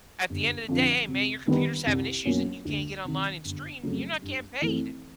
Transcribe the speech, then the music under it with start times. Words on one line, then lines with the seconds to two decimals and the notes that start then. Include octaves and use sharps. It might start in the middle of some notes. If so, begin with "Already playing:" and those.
At the end of the day, "Hey man, your computer's having issues, and you can't get online and stream, you're not getting paid."
0.30 G1
0.69 F2 D3 F3
1.08 C3
1.47 D#3 G3 B3 D#4
1.87 C2
2.25 B2 F#3 A#3 C#4
2.65 D2
3.05 C3 D#3
3.45 G1
3.83 F2 C#3 F#3 A3
4.22 G2
4.62 E3 A3 C4